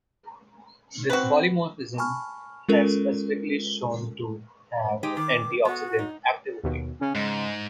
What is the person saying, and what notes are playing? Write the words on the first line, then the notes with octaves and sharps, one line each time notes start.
This polymorphism has specifically been shown to have antioxidant activity.
C4 F#4 B4
G#5 A5 B5 C#6 F6
G#3 C#4 F4 A4 A#4
G#3 D#4 G4
D#3 D6
B3 F#4
D#4
D#2 B2
C#3 C#4
G#2 G#3